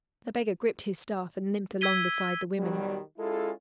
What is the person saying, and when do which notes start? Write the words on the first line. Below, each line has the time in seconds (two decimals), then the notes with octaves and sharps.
The beggar gripped his staff and limped along beside the women.
1.81 E6 G#6 B6 D#7 G7
2.58 B2 D#3 F#3 G3
3.18 G#3 C#4 E4 F4 G#4 A4